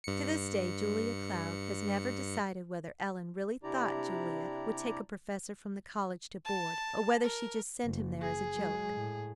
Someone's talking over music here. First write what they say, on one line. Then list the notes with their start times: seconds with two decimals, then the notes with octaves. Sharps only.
To this day Julia Cloud has never decided whether Ellen really thought Julia would take a professor from the college to board, or whether she just sent him there as a joke.
0.04 G2 C#7
3.63 C3 D4 E4 G4 D5 A#5
6.45 A5
7.23 A#4
7.85 F#1
8.22 G#4
8.55 F#3 G#3
8.94 A2